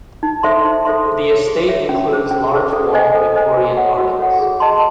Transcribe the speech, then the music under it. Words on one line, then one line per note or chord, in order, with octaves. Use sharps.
The Estate includes large walled Victorian Gardens.
D#4
A4 C5 E5 C6
D#4
A4 C5 E5 C6
G#4
C#5 E5
G#4
C#5 E5
C#4
G#4 C5
C#4
G#4 C5
A4
C5 D#5 G#5
A4
C5 D#5 G#5
F#4
A4 C#5 F#5
F#4
A4 C#5 F#5
G#4
D#5 A5 C6